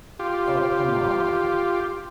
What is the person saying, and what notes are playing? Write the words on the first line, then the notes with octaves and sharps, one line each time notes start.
Oh, come on.
F4 G4